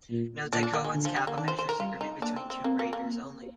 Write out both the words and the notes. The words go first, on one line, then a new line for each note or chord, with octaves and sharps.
Note that Cohen's kappa measures agreement between two raters only.
A#2
A#2 D4
D4
A#3
G#3
D3
F3
G3
A#3
D#3 D4
C5
C5
A#4
G3 F4
D#4
A#3 D4
C4
C4
A#3 C4
A#3
A#3
A#3